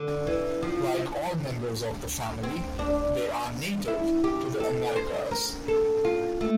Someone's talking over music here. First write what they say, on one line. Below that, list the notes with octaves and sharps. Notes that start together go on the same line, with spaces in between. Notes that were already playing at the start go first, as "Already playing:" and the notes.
Like all members of the family, they are native to the Americas.
Already playing: D3
E3
F3
C4
D4
E4
G4
A4
C5
A#4
A4
F4
A3